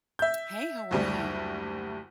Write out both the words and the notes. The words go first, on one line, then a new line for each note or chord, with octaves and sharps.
Hey, how are you?
E5 G6
F#1 D2 G3